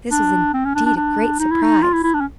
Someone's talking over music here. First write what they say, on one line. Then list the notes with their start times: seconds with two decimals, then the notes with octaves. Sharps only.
This was indeed a great surprise.
0.11 D4
0.54 C4
0.65 C#4
0.75 D4
0.86 D4
0.97 D4
1.39 D#4
1.51 E4
1.62 D#4
1.82 F4
1.93 E4
2.03 E4
2.14 D4
2.21 C#4